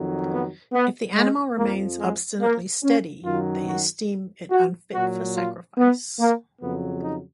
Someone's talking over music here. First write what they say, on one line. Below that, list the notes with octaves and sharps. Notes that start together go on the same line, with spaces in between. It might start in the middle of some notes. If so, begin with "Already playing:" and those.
If the animal remains obstinately steady, they esteem it unfit for sacrifice.
Already playing: F2 D#3 F#3
B3
B3
G#3
F2 F3 A#3
G#3
A#3
C#4
F#2 D#3 F#3 F4
F#4
F#4
A#2 F#3 F#4
F4
B3
A#3
F2 C#3 F#3 B3
D#4